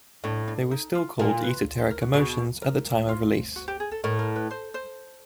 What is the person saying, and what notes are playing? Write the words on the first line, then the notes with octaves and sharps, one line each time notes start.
They were still called Esoteric Emotions at the time of release.
A2 D4
D4
D#4
F4
A#2 A#4
B4
C5
A#4
F#4
B2 G#4
A#4
F4
F#4
G4
G#4
A4
A2 A#4
A#4
B4
C5
C5